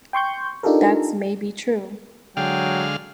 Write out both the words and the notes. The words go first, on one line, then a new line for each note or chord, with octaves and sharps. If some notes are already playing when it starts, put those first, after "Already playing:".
That's maybe true.
G5 C6 C#6 G6
D4 D#4 F4 G4 A4 A#4
D3 F#3 G#3 F5 G5